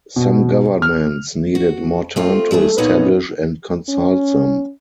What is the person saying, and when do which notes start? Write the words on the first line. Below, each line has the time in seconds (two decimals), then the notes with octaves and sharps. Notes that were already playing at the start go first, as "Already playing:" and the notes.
Some governments needed more time to establish and consult them.
0.16 B2
0.82 F6
1.55 F#4
2.16 A3 C4 F4
2.51 G3 A3 D4 G#4
2.78 A#2 B3 D#4 G#4 C#5 F#5
3.89 C#4